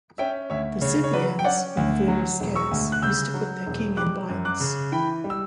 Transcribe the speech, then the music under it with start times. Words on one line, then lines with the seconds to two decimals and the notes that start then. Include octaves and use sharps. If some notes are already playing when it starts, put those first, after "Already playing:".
The Scythians, when food was scarce, used to put their king in bonds.
0.18 C#4 E5 G5
0.50 D2 C#5 E5
0.81 C#3 C#5
1.04 C#5
1.13 F#3 B4 D5
1.39 G5
1.44 C#4 D5 F#5
1.77 D2
2.08 F#3
2.40 E1
2.55 C#6 E6
2.71 D2
2.92 F#6
3.02 C#3 E6 G6
3.34 F#3
3.66 E1
3.97 G3 D6 F#6
4.29 F#2
4.45 D6 F#6
4.60 C#3
4.92 E3 G5 B5
5.24 G3
5.30 E6